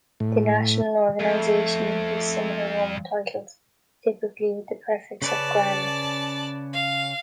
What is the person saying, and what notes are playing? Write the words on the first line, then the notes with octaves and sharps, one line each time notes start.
The national organization uses similar Roman titles, typically with the prefix of "Grand".
A2
F2 A3
C#3 C#4 B4 D5 A5
F5